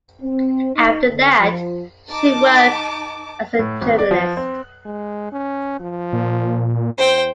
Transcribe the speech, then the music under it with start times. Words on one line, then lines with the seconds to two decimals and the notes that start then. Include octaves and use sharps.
After that she worked as a journalist.
0.21 C4
0.75 D#4
1.08 D3
1.39 F3
2.09 D#4 A5 D6
3.59 A2
3.81 G#1
3.98 D5
4.11 F3
4.37 C4
4.85 G#3
5.32 C#4
5.80 F3
6.13 A#2
6.98 E2 C5 G5